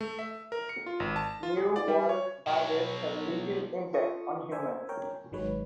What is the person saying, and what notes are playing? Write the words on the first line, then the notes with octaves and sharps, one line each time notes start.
New World barbets have little impact on humans.
A3
E5
A#4
C#7
F4
G#1
A5
F4
G#4
D5
G3
C#5
B2 F#3
F4 A4 C#6 D#6
A#4 C5 E5 G#5
A#4 C#5 G5
G#1 D#3 F#3 G#3 B4 C#5